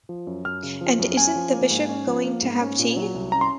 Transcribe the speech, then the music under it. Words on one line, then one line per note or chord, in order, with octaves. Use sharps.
And isn't the Bishop going to have tea?
F3
F#2
F#2 F6
C#3
F3
F#2
C#4 G#5
F3
A#3
G#2
C#4
F3
A#3
G#2
C#4
A#2
F#3
C2
C#4 A#5
C6